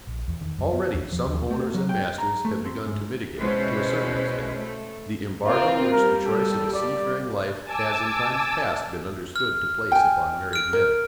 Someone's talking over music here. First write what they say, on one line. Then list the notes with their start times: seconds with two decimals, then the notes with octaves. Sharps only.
Already some owners and masters have begun to mitigate, to a certain extent, the embargo which the choice of a sea-faring life has in times past been understood to place upon married men.
0.07 A#1
0.28 E2
0.41 D#3
0.58 F#2
0.73 B3
0.94 E2
1.12 F3
1.25 D#2
1.51 A3
1.74 F#3
1.89 G5
2.18 A#5
2.45 A3
2.65 C4
2.86 G#2
3.37 B2 G#3 C#4 E4 B4 C5
4.59 A3
5.45 A#3 C4 F4 A#4
5.92 G3 A#4
6.26 G4 A4
6.73 G4 D5
7.64 G#5 A5 D6 E6
9.36 F6
9.92 G5 G#5
10.53 F6 D7
10.73 A#4